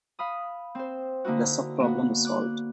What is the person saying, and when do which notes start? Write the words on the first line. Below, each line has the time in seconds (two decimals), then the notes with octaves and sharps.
The subproblem is solved.
0.19 F5 B5 D#6
0.75 C4 C5
1.25 D3 A#3 D#4 E4 F#4
1.80 A#3 B3 F#4
2.25 D6 F#6